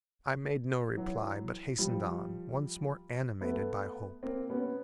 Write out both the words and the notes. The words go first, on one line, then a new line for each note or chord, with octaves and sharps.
I made no reply, but hastened on, once more animated by hope.
E3 F#3
F3 G3
A3 B3
A#3 C4
B3 C#4